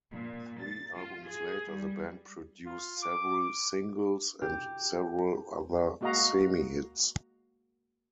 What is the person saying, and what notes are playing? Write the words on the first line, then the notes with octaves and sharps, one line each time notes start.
Three albums later, the band produced several singles and several other semi-hits.
A#2
A6
F4
G#4
G3
F4
D6
G4
G#3 A#3 F#4 D#5 F5 A#5